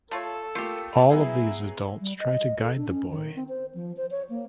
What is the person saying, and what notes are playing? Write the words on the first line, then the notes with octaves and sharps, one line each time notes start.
All of these adults try to guide the boy.
A3 F4 A4 C#5
A3 A#3 F4 G4 C#7
F#3 B3 E4 G#4
G3
D#5
A4
D4
C#4
D#3
C4
C5
F3
C5
C#5
A#3